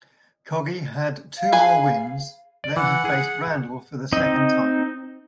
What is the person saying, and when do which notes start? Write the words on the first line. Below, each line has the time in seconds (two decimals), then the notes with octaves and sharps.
Coggi had two more wins, then he faced Randall for the second time.
1.38 F5
1.52 G#4 B4 G#5
2.64 D5
2.76 E3 F#5
3.05 G#4
4.12 C4 D#4 D#5